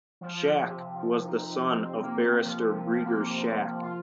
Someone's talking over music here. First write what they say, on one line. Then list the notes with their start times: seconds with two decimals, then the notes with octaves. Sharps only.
Schack was the son of barrister Gregers Schack.
0.21 F3
0.35 F3
0.51 F3
0.65 C3
0.81 C3
0.95 F3
1.11 C3
1.25 D#4
1.41 C3
1.56 D#4
1.70 C4
1.85 C4
2.01 A#3
2.16 C3
2.30 C3
2.45 F3
2.61 C3
2.75 C3
2.91 F3
3.06 A#3
3.20 C3
3.35 F3
3.50 C3
3.65 F3
3.81 F4